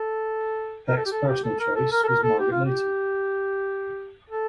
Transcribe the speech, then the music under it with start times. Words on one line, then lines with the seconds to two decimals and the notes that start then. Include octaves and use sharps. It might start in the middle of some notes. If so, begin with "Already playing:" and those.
Peck's personal choice was Margaret Leighton.
Already playing: A4
0.88 A#4
0.96 A4
1.06 G4
1.12 A4
1.28 G4
1.44 A4
1.60 A#4
1.76 A4
1.92 A#4
2.04 A4
2.07 A#4
2.23 A4
2.39 G4
2.52 F4
2.65 G4
4.30 A4